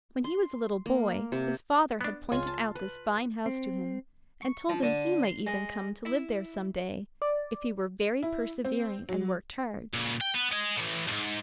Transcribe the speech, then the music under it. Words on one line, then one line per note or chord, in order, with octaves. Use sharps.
When he was a little boy his father had pointed out this fine house to him, and told him he might even come to live there some day, if he were very persevering and worked hard.
C6
A#3
C3
B3 D4
C#2 F4 G#5
A5
B4
C4
C#6
F3
D3
C6
G#3
E4
D5
E4
C4
F#3
A#2 C#3
G5
B3
D#5 G#5
A2 E3
B1 G#2